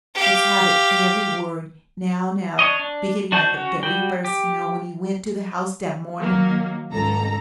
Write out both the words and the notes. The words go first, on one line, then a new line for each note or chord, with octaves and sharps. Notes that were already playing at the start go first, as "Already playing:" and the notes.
Let's have it every word--now--now--beginning at the very first, you know, when he went to the house that morning!'
G4 F5
D4 C#5 D#5
D4
D4 F#4 C5 A5 G6
C#4 F#4
G3 F#4 G5
G4
D#3 F#3 A#3
G#1 C#2 A4 A#5